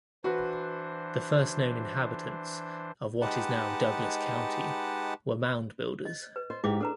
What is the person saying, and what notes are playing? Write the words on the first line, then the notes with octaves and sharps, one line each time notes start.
The first-known inhabitants of what is now Douglas County were Mound Builders.
E3 D4 F#4 B4 C5
G#3 D#4 G4 B4 F#5 A5
D#5
B4
C5 D#5
G#2 D#4 E4 G4 G#4 D6
D4 A4 B4 A#5